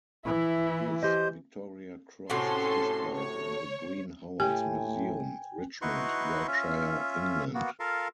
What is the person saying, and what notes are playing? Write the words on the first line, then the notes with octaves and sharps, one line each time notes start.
His Victoria Cross is displayed in the Green Howards Museum, Richmond, Yorkshire, England.
E3 E4
G4 C5 D#5
A2 C3 C#4 F#4 A4 C6
C#5
A2 G4 G5 G#5
D#4 E4 F#4 B4 C6 C#6
C#4 F4 E5
A#3 B3 F#4
F4 A4 A#4 F5